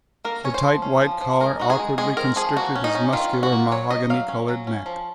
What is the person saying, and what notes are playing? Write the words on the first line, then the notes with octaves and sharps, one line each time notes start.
The tight white collar awkwardly constricted his muscular, mahogany-colored neck.
A#3 A#4
C#4 C#5
C5
F3
C#4
F3
F3
G#3 A#4
D#4 F#4
G#4
G#3
G#3 G#4
C4 A#4
F3 G#4
A#3 F#4
C#4
D#4
C#4
D#3 F4
C#4
F#4
A#3
F#3 C#5
F#3 D#5
F#3 F5
C#4
F#3
C#4
F3